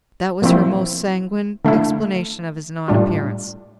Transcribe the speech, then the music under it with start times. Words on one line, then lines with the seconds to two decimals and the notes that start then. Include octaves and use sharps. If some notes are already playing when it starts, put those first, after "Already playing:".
That was her most sanguine explanation of his non-appearance.
0.42 A#2 F3 C4 E4
1.65 D3 A3 E4
2.88 A2 G3 D4 F4